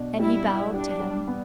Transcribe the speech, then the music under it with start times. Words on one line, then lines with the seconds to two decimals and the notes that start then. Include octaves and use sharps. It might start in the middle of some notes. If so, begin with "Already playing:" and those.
And he bowed to him.
Already playing: B2 D4
0.19 G3 E4
0.47 B3
0.73 D4 G4
1.00 G3
1.28 B3